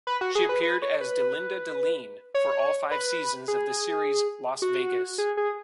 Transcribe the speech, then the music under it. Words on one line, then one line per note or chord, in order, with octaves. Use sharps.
She appeared as Delinda Deline, for all five seasons of the series "Las Vegas".
B4
F#4
G#4
B4
B4
C#5
B4
C#5
B4
G#4
F#4
G#4
G#4